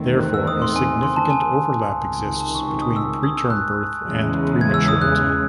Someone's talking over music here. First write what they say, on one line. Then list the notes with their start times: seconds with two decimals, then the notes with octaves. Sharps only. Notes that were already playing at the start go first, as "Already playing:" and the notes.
Therefore, a significant overlap exists between preterm birth and prematurity.
Already playing: E2 D#3 A3 C4
0.21 F#6
0.34 E6
0.47 D#6
0.62 C6
0.76 G#5
1.03 C6
1.16 A5
1.30 G#5
1.85 C#2 C3 D#3
2.40 A5
2.55 C#6
2.68 C#6
2.82 D#6
2.96 E6
3.09 C#6
3.23 D#6
3.37 E6
3.50 F#6
4.05 E2 C#3 G#3
4.61 G#6
4.74 E6
4.88 D#6
5.01 F#6